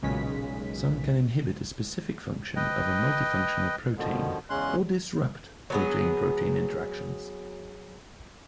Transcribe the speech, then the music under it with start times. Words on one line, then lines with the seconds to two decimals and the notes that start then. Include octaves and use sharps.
Some can inhibit a specific function of a multifunctional protein or disrupt protein-protein interactions.
0.03 B1 A#2 C#3 G#3 C#4 B6
2.56 B4 D#5 G5
3.98 B2 D3 D#3 F3
4.50 E2 C#3 G#3 C#4 C6 F#6
5.70 F#3 B3 G#4